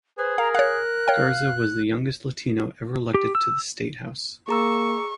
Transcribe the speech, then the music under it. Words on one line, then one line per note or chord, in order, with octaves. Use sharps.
Garza was the youngest Latino ever elected to the state house.
G#4 B4 C5
A#4 F5 A#5
C#5 F5 F#6
C#5 F5 G5
G4
E6
A#3 G#4 A#5 C#6 E6